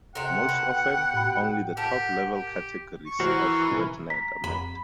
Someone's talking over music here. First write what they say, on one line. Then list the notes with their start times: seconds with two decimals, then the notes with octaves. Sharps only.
Most often, only the top-level categories of WordNet are mapped.
0.15 C3 A#4 F#5 G5
0.49 B2
1.14 A2 B5
1.77 G4 A#4 F#5 A5
2.33 G4
3.06 C#6
3.20 E3 F#4 A#4 C5 C6
4.10 A#5 B6
4.44 F2 B5